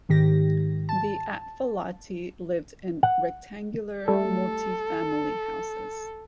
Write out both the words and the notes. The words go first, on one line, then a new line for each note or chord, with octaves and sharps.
The Atfalati lived in rectangular multi-family houses.
G#2 D#3 G4 A#6
A5
F#5
G3 A3 A4